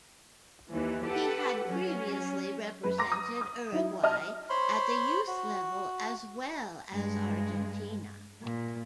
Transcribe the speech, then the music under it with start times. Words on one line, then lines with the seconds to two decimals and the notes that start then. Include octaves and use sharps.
He had previously represented Uruguay at the youth level as well as Argentina.
0.72 D#2 E3
1.05 G4 A4 B4 F#5
1.67 F#3 C#4
2.83 F#2 B4
2.98 A#5 C6 D6 A#6
3.12 D#6
3.41 D#6
3.72 F#3 D#4 E4
4.03 D#5 A5 F6
4.50 C5 C#5 B5 C6
5.28 F#4
6.93 G2 G#3
8.43 A#2